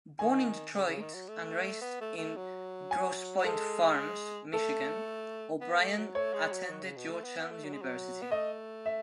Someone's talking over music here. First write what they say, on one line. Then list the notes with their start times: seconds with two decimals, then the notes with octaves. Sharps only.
Born in Detroit and raised in Grosse Pointe Farms, Michigan, O'Brien attended Georgetown University.
0.19 D#3 G#5
0.74 C#3
0.87 C#3
1.01 D#3
1.14 F#3
1.28 A3
1.81 B3
2.01 A3
2.18 A3
2.36 F#3
2.91 G#5
3.38 F#3
3.45 G#3 A4
4.53 A3 A4
5.61 B3
5.80 A3
5.97 F#3
6.15 A3 C#5
6.33 G#3
6.52 F#3
6.69 D#3
6.83 C#3
6.96 B2
7.10 A3
7.24 B3
7.38 B3
7.51 A3
7.64 F#3
7.73 G#3
7.82 F#3
8.22 B3
8.31 A3 D#5
8.86 E5